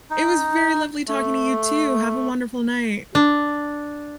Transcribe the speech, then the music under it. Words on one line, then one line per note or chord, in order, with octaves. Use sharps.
It was very lovely talking to you too. Have a wonderful night.
D#4
A3
D4